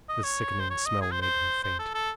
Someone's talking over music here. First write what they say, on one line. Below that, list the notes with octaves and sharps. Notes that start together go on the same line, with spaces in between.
The sickening smell made him faint.
D#5
C#5
C5
C#5
D#5
G#4
C5
C5
C5
A4
A4